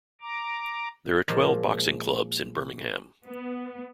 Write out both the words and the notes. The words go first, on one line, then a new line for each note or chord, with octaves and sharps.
There are twelve boxing clubs in Birmingham.
A#5 D6
A#2 F3 G#3
B3